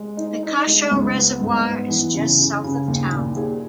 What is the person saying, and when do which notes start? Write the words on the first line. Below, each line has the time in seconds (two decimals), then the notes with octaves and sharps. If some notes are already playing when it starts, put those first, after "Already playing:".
Picacho Reservoir is just south of town.
Already playing: G#3
0.17 D#4
0.43 D#4
0.67 G#3
0.91 C#2
1.16 B3
1.41 G#2
1.65 B3
1.89 E3
2.14 C#3
2.39 C#3
2.64 C#3
2.88 D#2
3.13 A#2
3.37 G#4